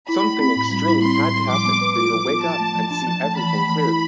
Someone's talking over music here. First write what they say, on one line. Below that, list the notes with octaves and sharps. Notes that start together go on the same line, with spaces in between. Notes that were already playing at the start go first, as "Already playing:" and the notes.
Something extreme had to happen for you to wake up and see everything clearly.
E4 B5
A3
C4
A2
G3
E4
C4 C6
A2
G3
F3 D6
B3
B4
F4 D6
F3
B3
F3 A5
A3
F3
D4 A5
F3
A3
E3 B5
A3
E3
E4